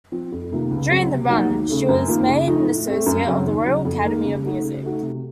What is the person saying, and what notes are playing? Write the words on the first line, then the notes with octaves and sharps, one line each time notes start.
During the run, she was made an Associate of the Royal Academy of Music.
F3 C4
F2
C3 D#3 A#3 F4
C#2
C#3 F#3 C4 F#4
C3
F#3 A#3 D#4 F#4
D#2
C#3 A3
F#2
D#3 A#3 F4
C#3
F3 A3 D#4
A2
A3 C4
F#2
C#3 F#3 C4
D#2
C#3 F#3
F2
D#3 A#3
C#3
A3 D#4 F#4
C#3
A3 D#4 F#4
C3